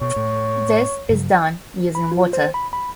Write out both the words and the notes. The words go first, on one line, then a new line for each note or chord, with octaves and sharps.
This is done using water.
B2 C#5
A2
G2 C#3 F#3
B5
F4
C5
B5
B5